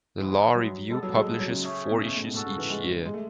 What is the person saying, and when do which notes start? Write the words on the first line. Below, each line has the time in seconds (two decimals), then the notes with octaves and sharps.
The law review publishes four issues each year.
0.19 E3 G#3 B3 E4
0.55 F#3
0.90 G#3 B3 D4 A4
1.03 F#3
1.14 G#3
1.26 G#3
1.39 F#3
1.50 C#3
1.63 A3 C#4 G#4 C#5 E5
1.91 B2
1.97 C#3
2.07 B2
2.16 A2
2.25 B2
2.34 G#2 C#4 F#4 A4
2.46 C#3
2.58 E3
2.70 G#3
3.05 G#3
3.14 A3